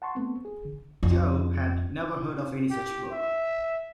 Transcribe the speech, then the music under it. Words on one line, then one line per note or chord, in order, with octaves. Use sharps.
Jo had never heard of any such book.
F#5 A5 C6 C#6
A3 B3 C4
G#4
D3
F2
G4
E5